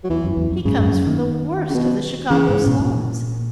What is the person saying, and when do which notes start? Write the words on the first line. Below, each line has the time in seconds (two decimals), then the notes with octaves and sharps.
He comes from the worst of the Chicago slums.
0.04 F#3
0.10 E2 E3
0.24 F#2
0.37 E2
0.51 F#2
0.65 G#2 C#3
0.79 F#2
0.93 F#2
1.06 D#3
1.70 C#3
1.75 B2
2.30 C#3 E3
2.49 G#2
2.67 B2
2.80 G#2
2.85 A#2